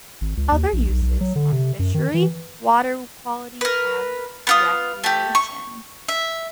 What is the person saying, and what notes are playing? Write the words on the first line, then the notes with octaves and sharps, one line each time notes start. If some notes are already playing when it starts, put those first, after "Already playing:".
Other uses are fishery, water quality, and recreation.
G#1
C#2
D#2
A#1
B1
B1
F#3
D3
C3
F#2
D#3
E3
A#4 B4
B3 F4 D#6
A3 G4
C#6
E5